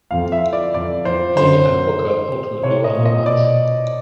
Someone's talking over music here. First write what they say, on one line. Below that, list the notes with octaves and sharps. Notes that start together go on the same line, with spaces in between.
He and Booker ultimately won the match.
F2 F5
E5
D5
F2 D5
F2 C5
F#2 C5
C3 C#5
D#5
A#2
D#5
B2 D5